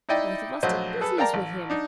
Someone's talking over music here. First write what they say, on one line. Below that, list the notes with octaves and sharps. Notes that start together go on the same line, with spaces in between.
Both of us did business with him.
D#4 E4 D5 D#5 G5
A#1 F#3 A3 C5 D#5
G#4 A4 B4
A#4 D5 F5 G5 A5 A#5
A1
D4 D#4